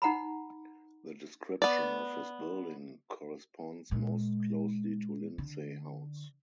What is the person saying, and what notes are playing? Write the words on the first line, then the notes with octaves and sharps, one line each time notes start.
The description of his building corresponds most closely to Lindsey House.
D#4 F#5 A#5 B5
B3 D5
A#2 G#3
D3